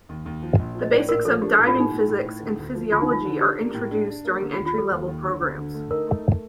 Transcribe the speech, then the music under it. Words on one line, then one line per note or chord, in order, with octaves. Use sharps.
The basics of diving physics and physiology are introduced during entry level programs.
D#2
D#2
F3
A#1
F3
D#5
A2 D5
A#1 A#4
F3 A4
D4 G4
A4
A2
F4
A2
D#4
A2
A2
A2
D3
D2
F3
D2 F4
D#4
F3 F4
D3
D4 G4
A#3
A2
D4
D4
A#3
D3 G4
F4
D#2
F4
G3 A4
D#2
D#2
D3
D2
D3
A3
D#4 A#4
A3